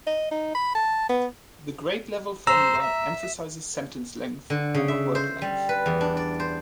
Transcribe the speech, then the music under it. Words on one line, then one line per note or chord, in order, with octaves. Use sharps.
The grade level formula emphasises sentence length over word length.
D#5
D#4
B5
A5
B3
C5 A#5 E6
E5
D3
C#3
E5
C5
G3
B4
E2
D4
D5
C5